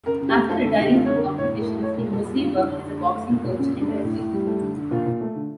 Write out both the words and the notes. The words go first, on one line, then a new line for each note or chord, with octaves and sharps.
After retiring from competitions he mostly worked as a boxing coach and referee.
C#3 A#4
C#3
G4
A3
A3 A4
D3 A4
D3 G4
A3 F4
D3 C#5
A#4
D3
A2 C#5
A2
A#4
A3
A3 C#5
A#2 A#4
A#2 A4
G3
D3 F4
D3 E4
D3 D4
D3
A3
A3
A#2
A#2
C#3 C#4
C#3
D4
A3
A2
A2
G3
A3
D3
D3
A#2 F4
A#2
A3
D3